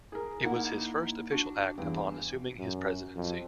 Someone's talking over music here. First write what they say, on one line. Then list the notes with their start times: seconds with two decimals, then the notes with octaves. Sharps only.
It was his first official act upon assuming his presidency.
0.12 G#4 A#4
0.44 A#3 D#4 E4 F#5
1.31 D4 F#4
1.78 E2 G2 C4
2.59 F#2
3.16 F2